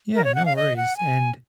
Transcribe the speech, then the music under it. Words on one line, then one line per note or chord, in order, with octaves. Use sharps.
Yeah, no worries, and,
A#4
C#5
F#5
F5
D#5
F#5
G#5